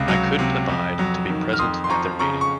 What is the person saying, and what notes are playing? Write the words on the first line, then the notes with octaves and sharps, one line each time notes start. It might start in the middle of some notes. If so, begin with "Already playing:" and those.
I couldn’t abide to be present at their meeting.
Already playing: C#2 C3
F#3
C3
F2
F#3
D#3
F6
F2 C6 D#6
C6
F3 A#5 C#6
C#3 A#5 C#6
C#6